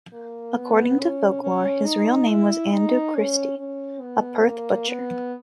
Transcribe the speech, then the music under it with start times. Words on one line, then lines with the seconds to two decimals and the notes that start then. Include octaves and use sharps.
According to folklore, his real name was Andrew Christie, a Perth butcher.
0.12 A#3
0.56 B3
0.99 C#4
1.42 C#4
1.86 D#4
2.29 E4
2.72 D#4
3.15 C#4
3.58 C#4
4.01 B3
4.44 A#3
4.89 B3